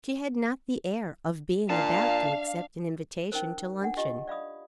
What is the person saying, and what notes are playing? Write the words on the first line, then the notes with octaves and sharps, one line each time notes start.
She had not the air of being about to accept an invitation to luncheon.
A#2 D4 F5 A5
C#4 D#4 A#4 C5
D4 F#5
D4 F4 G4 D#5 C#6
D5 F5 B5 D#6